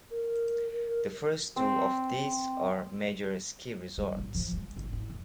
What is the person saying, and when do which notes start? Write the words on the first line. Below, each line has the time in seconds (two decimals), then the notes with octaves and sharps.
The first two of these are major ski resorts.
0.11 A#4
1.56 C4
3.98 G3
4.17 A1
4.35 F3
4.53 G#3
4.77 G#1
4.93 E4
5.10 F2